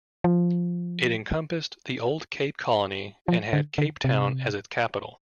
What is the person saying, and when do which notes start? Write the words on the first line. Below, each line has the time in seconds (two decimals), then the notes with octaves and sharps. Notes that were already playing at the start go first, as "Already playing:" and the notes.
It encompassed the old Cape Colony, and had Cape Town as its capital.
0.24 F3
3.28 F3
3.53 D3
3.78 D3
4.04 C3